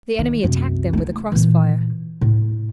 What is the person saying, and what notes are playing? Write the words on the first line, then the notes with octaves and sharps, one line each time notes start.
The enemy attacked them with a cross-fire.
D#3
C2 F#2
A3 E4
A#2 E3
A2